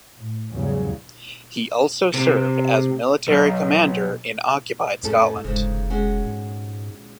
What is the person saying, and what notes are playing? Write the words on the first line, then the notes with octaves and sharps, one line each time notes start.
He also served as military commander in occupied Scotland.
A2
E2 G#2 C#3 F#3 G3
C3
B1
F2 A2 C#4 A4
F1 G#2 C#3
G#3 C#4 F#4
G#2